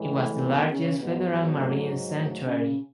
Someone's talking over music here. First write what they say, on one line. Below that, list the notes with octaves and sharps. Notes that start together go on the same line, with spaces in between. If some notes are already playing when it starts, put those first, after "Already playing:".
It was the largest federal marine sanctuary.
Already playing: A2 E3 G#3
A3
B2 B3
C#3 C#4
G#2 B2 F#3 B3
B2 B3
A3
G#3
A3
C#3 C#4